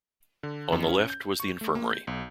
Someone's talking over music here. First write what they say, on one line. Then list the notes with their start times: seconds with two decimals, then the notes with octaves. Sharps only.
On the left was the infirmary.
0.43 D3
0.72 F2
0.88 C#4
1.10 G6
1.40 C#6
1.61 A3
1.75 A#3
1.90 G6
2.07 B1